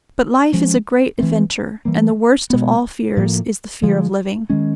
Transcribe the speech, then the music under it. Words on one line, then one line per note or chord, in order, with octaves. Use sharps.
But life is a great adventure, and the worst of all fears is the fear of living.
F3 G#3 C#4
E3 A3 C4
E3 G3 A#3
B2 G#3 B3
A2 F3 A#3
D3 F3 G#3
D#3 G#3 C#4